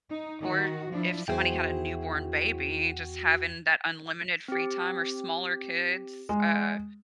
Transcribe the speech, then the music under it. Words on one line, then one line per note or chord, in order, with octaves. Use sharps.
or if somebody had a newborn baby, just having that unlimited free time, or smaller kids, uh,
D#4
D#3 F#4
F3 D4 E4
E2 E4 F#4 G#4 C5 G5
C4 G4
G#3